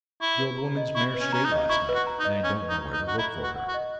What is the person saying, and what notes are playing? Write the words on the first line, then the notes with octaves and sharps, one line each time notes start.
'The old woman's mare strayed last night, and I don't know where to look for her.'
E4 C#6
B4
A#5
D#5
E4 C#6
B4
C#4
C#4 A#5
D#4
D#5
E4 C#6
B4
F#4
A#5
D#4
D#5
C#4 C#6
B4
D#4
A#5
D#4
D#5
F#4
E4 A#5
B4
F#4
F#5
F#4
D#5